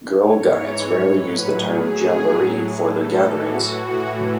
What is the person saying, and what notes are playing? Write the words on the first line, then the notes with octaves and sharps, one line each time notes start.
Girl Guides rarely use the term jamboree for their gatherings.
G#2 E3 C#5
A2 F#3 B4
G#4
A2 F#3
A2 E3 A4
F#4
A2 E3